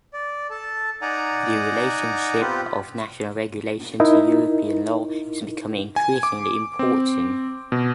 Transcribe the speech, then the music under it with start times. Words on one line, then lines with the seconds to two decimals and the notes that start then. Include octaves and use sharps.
The relationship of national regulations to European law is becoming increasingly important.
0.13 D5
0.50 A4 A5
1.02 D#4 D5 F#5 G#5 A#5
2.41 B3 C4 F4 G4 B4
4.00 D#4 E4 A#4
5.96 G#5
6.23 D6
6.79 C4
7.72 B2